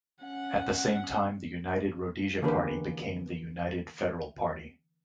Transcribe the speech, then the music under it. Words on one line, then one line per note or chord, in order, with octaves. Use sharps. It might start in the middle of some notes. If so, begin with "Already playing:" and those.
At the same time the United Rhodesia Party became the United Federal Party.
C#4 F#5
D3 E3 A#3 C#4 G4 B4